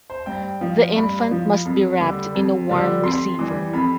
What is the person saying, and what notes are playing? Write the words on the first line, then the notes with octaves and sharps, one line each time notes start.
The infant must be wrapped in a warm receiver.
C5
G2 G5
F3
G2 B5
F3
F2
D3 G3
F2
D3 G3
F2 C6
E3 G3
F2 B5